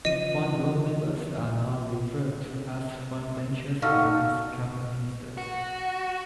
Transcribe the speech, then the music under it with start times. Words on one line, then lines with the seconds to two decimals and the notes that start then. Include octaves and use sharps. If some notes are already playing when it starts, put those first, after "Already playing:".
Front row members are not referred to as frontbenchers, but as cabinet ministers.
0.05 C#3 E3 F3 D#5 D#7
3.82 D#4 F#4 A4 F5 C#6 F6
5.37 F#4